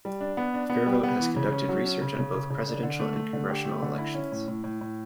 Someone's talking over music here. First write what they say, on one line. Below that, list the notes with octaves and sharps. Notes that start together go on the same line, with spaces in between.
FairVote has conducted research on both presidential and Congressional elections.
G3
D4
B3
D4
B3
G3
B3
E3
C#3
C#4
F#3
C#4
C#3
C#3
C#3
C#3
D4
D3
A3
A3
D3
G4
A3
D3
E4
C#4
A2
A2
A2
A2